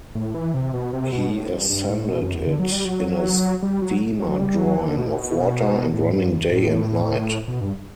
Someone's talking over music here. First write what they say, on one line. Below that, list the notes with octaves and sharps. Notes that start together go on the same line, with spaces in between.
He ascended it in a steamer drawing of water, and running day and night.
A2
E3
C3
B2
C3
B2
A2
G2
G2
A2
B2
F#2
E2
D3
F#3
G3
F#3
G3
F#3
F#3
G3
F#3
E3
D3
B2
A2
B2
A2
G2
E2
A2
B2
G2